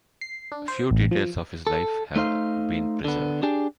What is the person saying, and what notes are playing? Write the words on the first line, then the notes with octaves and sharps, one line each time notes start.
Few details of his life have been preserved.
C7
D4
C5
A1
F3
A4
A3 D#4 C5 F5
D3 B3
D4 G4 G#4